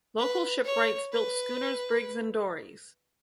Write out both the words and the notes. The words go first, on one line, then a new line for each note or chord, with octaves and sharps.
Local shipwrights built schooners, brigs and dories.
B4
C#5
B4